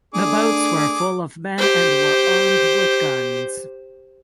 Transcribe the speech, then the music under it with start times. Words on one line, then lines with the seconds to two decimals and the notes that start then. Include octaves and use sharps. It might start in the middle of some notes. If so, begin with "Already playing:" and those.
The boats were full of men and were armed with guns.
0.14 A3 D4 G#4 D6
1.58 G4 C5